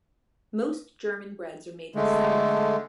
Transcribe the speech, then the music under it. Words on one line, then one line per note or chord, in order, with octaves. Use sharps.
Most German breads are made with sourdough.
D3 G#3 A3